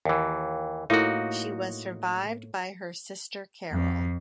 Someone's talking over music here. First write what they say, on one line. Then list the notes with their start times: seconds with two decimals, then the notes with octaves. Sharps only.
She was survived by her sister Carol.
0.05 D#2 E3
0.90 A2 A#3 D#4 F4 F#4
3.71 F2